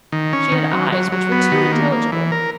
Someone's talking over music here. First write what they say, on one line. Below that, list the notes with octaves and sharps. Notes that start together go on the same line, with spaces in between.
She had eyes which were too intelligible.
D#3
C#4
D#3
F#3
F#3
F#3
B3
D#3
A#3
A#3
E3
A#4